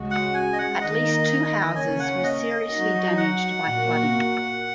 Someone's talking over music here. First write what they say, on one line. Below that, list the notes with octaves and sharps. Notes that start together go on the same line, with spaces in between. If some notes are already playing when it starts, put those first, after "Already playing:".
At least two houses were seriously damaged by flooding.
Already playing: C#2 C#3 G#3 F#4
F#5
G#5
D#5
F#5
D#3 A#3 D#4 D#5
C#3 A#3 C#4 G#5
F#5
D#5
F#3 D#4 F#4
F#5
A#2 A#3 F#4